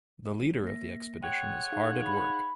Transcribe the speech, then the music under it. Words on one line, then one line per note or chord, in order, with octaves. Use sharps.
The leader of the expedition is hard at work.
A#3 A#6
G#3 C#5 F#5 G5
D#4 G#4 F5
B5